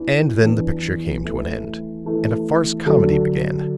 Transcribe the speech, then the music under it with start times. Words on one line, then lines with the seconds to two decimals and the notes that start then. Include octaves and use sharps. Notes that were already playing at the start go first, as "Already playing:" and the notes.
And then the picture came to an end, and a farce-comedy began.
Already playing: E2 E3 D4
0.43 E2 E3 D4
1.24 E3 A3 E4
2.05 E3 A3 E4
2.86 D3 F#3 D4 A4